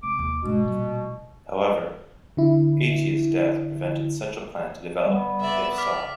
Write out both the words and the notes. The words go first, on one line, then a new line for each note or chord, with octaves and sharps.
However, Aetius' death prevented such a plan to develop, if sought.
C3 D6
D#2
G#2 B2 D4
A#2 G3
E3
D3 E4
D2 G3 B3 F#5
C#3 D5 E5
D5 D6 F6 B6